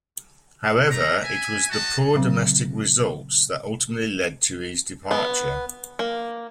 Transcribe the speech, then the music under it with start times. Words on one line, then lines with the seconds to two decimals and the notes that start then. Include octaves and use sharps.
However it was the poor domestic results that ultimately led to his departure.
0.89 A3 A#5
1.22 E5 G#5
1.70 F#4 D#5 A5
2.14 A#2 C#3 F#3 C4
5.11 B3
5.99 A#3